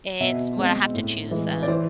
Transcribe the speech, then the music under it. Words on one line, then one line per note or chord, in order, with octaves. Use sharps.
it's well, I have to choose, um,
B2 E5
G#3 C4
A2
E3 G#3
D5
E3 C5